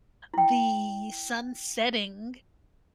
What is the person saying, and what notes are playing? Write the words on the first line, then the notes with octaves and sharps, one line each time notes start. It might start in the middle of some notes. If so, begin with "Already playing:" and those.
the sun setting
E4 G5